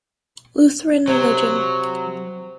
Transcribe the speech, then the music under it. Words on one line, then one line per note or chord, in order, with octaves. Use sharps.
Lutheran religion.
C3 F#3 C5 G#6